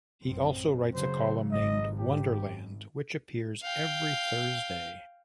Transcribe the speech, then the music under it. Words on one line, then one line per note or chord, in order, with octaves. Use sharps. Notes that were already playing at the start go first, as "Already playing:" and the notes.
He also writes a column named "Wonder Land" which appears every Thursday.
A1 F#2 C4
C#3 F#3 C5
G#1 D#5
G4
F5 G5